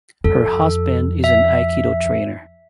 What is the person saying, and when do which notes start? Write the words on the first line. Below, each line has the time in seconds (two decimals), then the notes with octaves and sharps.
Her husband is an aikido trainer.
0.24 F2 A4
1.24 E5